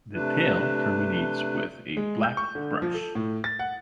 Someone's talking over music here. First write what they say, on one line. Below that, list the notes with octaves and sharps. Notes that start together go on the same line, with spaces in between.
The tail terminates with a black brush.
C3 A3 D4 B4
G#3
G6
C#6
D3
F3
A4
A2
A6
F#5